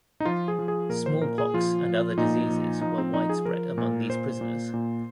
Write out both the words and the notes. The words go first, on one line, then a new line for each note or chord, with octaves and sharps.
Smallpox and other diseases were widespread among these prisoners.
D#4
F3 F4
G#4
F3
G#4
A#2 A#4
C5
A#2 A#4
G#4
F3 F4
F3
A#2 D#4
F3
F3 D#4
C4
F3 D#4
G#4
F3 A#4
A#2
A#2 C5
A#2
A#2